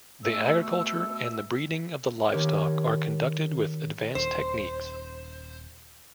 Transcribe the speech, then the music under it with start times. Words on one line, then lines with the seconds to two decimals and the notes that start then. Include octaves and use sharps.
The agriculture and the breeding of the livestock are conducted with advanced techniques.
0.24 B2 A3 E6
2.32 D#3 G4 A#4 C#5
4.15 D#1 C5